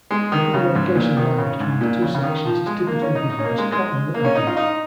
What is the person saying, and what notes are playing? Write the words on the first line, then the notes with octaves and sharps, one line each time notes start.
The demarcation line between the two sections is typically given as Cottman Avenue.
G#3
D#3
C#3
G#2
A#2
D#3
C#3
G#2
A#2
C#3
C#3
D#3
F3
G#3
A#3
C#4
D#4
D#4
C#4
A#3
G#3
G#3
A#3
C#4
D#4
F4
D#4